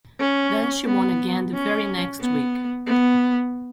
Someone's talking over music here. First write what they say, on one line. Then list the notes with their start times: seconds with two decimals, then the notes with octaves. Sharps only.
Then she won again the very next week.
0.19 C#4
0.86 B3
1.54 C#4
2.20 B3
2.86 B3